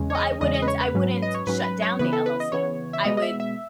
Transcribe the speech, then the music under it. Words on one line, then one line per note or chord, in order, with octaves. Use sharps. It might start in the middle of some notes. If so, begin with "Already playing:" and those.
Well, I wouldn't I wouldn't shut down the LLC, I would,
Already playing: E2 C#3 G#3 C#4
C#5
D#5
E2 C#3 G#3 C#4 D#5
D#5
B4
C#5
B4
G#2 F#3 C#4
D#5
C#5
G#2 F#3 C#4 B4
B4
C#5
C#3 E3 B3 B4
A4
B4
D#5
C#3 E3 B3 C#5
E5
B2 G#3 B3 D#5
D#5
E5
E5